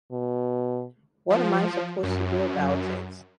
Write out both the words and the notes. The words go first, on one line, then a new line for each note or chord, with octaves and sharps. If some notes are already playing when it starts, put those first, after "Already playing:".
What am I supposed to do about it?
B2
F3
F#2